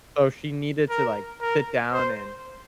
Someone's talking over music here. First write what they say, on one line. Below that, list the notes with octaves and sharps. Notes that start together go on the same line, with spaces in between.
so she needed to, like, sit down and
A#4
A#4
C5